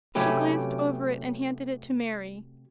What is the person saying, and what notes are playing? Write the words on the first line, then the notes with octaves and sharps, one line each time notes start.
She glanced over it, and handed it to Mary.
C3 F#3 A3 C#4 G4 B4